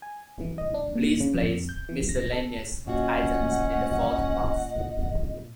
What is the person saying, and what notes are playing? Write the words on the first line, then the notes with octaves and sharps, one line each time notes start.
Please place miscellaneous items in the fourth box.
G#5
E3
D#5
D4
A#2
C#3
F2
G6
E3
A#6
A4
A#2 C#4 F#4 D#5 F#5